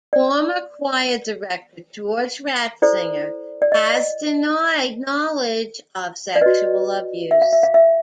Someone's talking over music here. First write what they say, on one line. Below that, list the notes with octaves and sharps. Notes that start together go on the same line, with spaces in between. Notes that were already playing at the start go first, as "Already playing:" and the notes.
Former choir director Georg Ratzinger has denied knowledge of sexual abuse.
D5
E4 A4 C5 D5
D5
D#5
D5
F#4 B4 D#5
E5
F5
E5
F5
E5